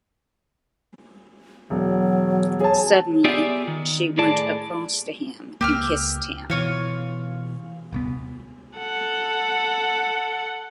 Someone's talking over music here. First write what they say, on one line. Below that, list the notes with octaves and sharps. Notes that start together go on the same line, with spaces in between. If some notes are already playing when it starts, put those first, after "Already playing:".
Suddenly she went across to him and kissed him.
E1 F#3
G#4 C#5 A5
B3 F4 G4 G#4 D5 E5
D#3
A2 G#4 D5 A5
C#2 A#3 G4 E6 F6
B2 E3 F4 C#5 F5
D#1 C2 B3
A4 F#5